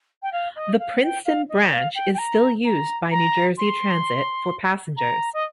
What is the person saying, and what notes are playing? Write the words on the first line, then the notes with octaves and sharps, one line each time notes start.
The Princeton Branch is still used by New Jersey Transit for passengers.
G5
F5
D#5
F5
G5
F5
D#5
F5
G5
G5
A#5
A#5
A#5
C6
A#5
D#5